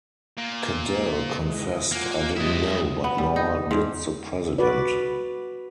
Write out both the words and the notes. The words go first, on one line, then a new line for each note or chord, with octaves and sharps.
Cadell confessed 'I didn't know but nor did the president.
A#2
E3 G#3 D#5
A#3 F4 F#5 G#5
G2 G#3 E4 G4 D#5
B3
G3
D#4
G#2
F#4 B4 D5